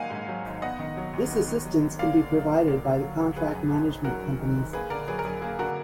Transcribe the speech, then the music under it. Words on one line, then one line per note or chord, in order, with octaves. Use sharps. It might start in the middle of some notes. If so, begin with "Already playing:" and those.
This assistance can be provided by the contract management companies.
Already playing: G#1 G#2 F#3 A#3 D#5 F5 F#5 G#5
G#2
F#3
G#1
B3 D#5 F#5
D#3
F#3
D#2
B3
D#3
F#3
D#2
A#3 D5 F5
D3
F#3
D2
A#3 D5 F5
D3
F#3
D2
F#3 G#4 B4
F#2
D#3
G#1
F#3 F#4 A#4
F#2
D#3
G#1
A#3 G#4 B4
D3 A#4 D5
F#3 G#4 B4
A#4
F#2 G#4
A#3 G#4
D3 F#4 A#4